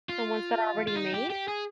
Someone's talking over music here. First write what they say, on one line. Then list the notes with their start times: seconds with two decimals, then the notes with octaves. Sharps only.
The ones that are already made,
0.09 F4
0.88 F4
0.95 D#4
1.14 G4
1.30 G4
1.48 G#4